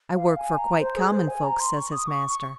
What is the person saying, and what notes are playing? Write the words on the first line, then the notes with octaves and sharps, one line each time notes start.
I work for quite common folks,' says his master.
F5
G#5
A#5
C5
G#4
C5
G#5
A#5
C6
C#6
D#6
C#6
C#6